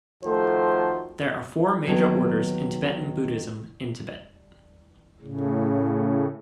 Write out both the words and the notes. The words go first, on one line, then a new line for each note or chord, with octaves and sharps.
There are four major orders in Tibetan Buddhism in Tibet.
D#3 F3 A3 F#4 A4 C5
D#2 D#3 F#3 B3 A5
A2 C#3